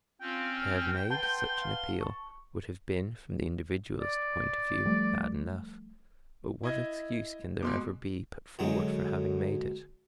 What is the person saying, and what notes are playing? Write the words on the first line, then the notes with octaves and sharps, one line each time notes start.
To have made such an appeal would have been from the individualist point of view bad enough, but what excuse can there ever be put forward for having made it?
C4 C#4 F4 G5
F6
B4 F#5 A5 C6 G6
F5
A5 C#6
D5
F3 G3 A3
E4 D#5 G#6
B2 G#3 C6 D6
F#2 D3 F#3 G#3